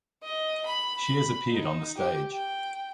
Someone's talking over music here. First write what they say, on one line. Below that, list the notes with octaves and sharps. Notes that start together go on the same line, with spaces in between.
She has appeared on the stage.
D#5
B5
B5
D#4
G4
G5